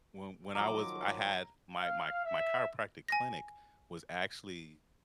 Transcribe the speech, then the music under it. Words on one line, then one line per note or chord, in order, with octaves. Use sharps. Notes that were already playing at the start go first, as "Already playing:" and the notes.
When when I was I had my my my chiropractic clinic was actually
D#3 F3 F#3 A#5 D6
F5
E5
G#5 A#6